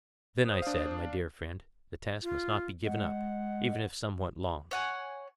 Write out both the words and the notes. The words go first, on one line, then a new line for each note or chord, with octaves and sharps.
Then, I said, my dear friend, the task must not be given up, even if somewhat long.
C5 D#6
D4 F5
F4
G#3 F#5
C#5 F#5 G#5